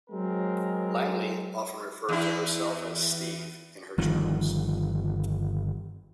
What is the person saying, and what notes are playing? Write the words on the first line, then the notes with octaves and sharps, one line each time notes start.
Langley often referred to herself as 'Steve' in her journals.
F#3 G#3 C4 A#4
E2 E4
G1 D#3 F3